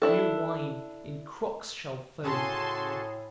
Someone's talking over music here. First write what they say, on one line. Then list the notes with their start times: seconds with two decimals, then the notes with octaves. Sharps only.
New wine, in crocks Shall foam!
0.02 D4 E4 A4
2.24 A2 C#3 F#4 G#4 A4 G#5 A5 C6